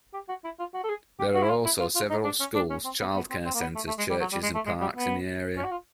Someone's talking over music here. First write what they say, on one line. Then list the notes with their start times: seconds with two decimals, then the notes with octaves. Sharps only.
There are also several schools, child care centres, churches and parks in the area.
0.14 G4
0.29 F#4
0.44 E4
0.59 F4
0.74 F#4
0.84 A4
0.89 G#4
1.19 G4
1.34 F#4
1.43 E4
1.50 F4
1.65 E4
1.79 F4
1.95 F4
2.10 D#4
2.24 D4
2.40 C#4
2.55 D4
2.70 C#4
2.85 C4
3.00 B3
3.15 B3
3.30 C4
3.45 C4
3.54 A#3
3.61 B3
3.75 A3
3.87 A3
3.98 G#3
4.10 G3
4.20 F#3
4.32 G3
4.43 G#3
4.55 A3
4.66 G#3
4.81 G3
4.96 B3
5.57 C#4
5.64 F#4
5.71 F4